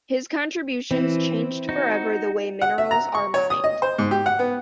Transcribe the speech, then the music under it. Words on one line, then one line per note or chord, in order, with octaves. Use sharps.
His contributions changed forever the way minerals are mined.
E3 C4 E4
D#4 F#4
F#5
E5
A#5
C#6
C#5
D#6
D#5
C5
G#2
G4
F#5
B3